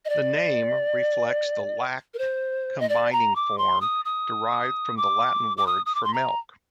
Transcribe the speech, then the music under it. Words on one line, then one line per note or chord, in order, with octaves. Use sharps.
The name reflects the "lact-" combining form derived from the Latin word for milk.
D#5
D5
A#4
C5
D#5
D5
A#5
D6
C6
D#6
D#6
D6
D6
D#6
D#6
D6
C6
A#5